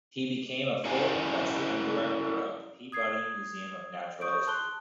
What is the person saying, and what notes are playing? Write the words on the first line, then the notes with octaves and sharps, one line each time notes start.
He became a full professor and director of the Peabody Museum of Natural History.
C#4 E4 F#4 A#4 D5 G#5
D#6 G#6 C7
C#6 D#6 G6 D7
A5 C6 F#6 G7